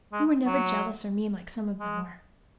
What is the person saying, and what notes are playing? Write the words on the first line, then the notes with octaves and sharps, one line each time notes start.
You were never jealous, or mean, like some of them were.
G#3
F#3
G#3